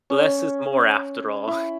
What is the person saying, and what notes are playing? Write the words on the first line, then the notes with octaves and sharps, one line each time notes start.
Less is more after all.
C#4
E4